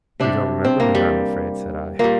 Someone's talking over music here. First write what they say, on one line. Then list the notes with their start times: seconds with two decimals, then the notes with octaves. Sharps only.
'You don't remember me, I am afraid,' said I.
0.20 C3 G3 D4
0.65 C4
0.80 A#3
0.95 G3
1.99 A#2 G3 A#3